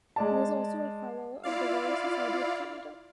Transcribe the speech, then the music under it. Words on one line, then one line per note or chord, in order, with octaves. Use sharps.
He was also a Fellow of the Royal Society of Canada.
G#3 D5 A5
E4 F4 D5 F5